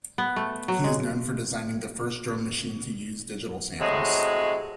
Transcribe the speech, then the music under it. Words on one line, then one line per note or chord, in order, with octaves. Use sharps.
He is known for designing the first drum machine to use digital samples.
B3
A3
F#3
G#3
A2 C3 F#3 G#3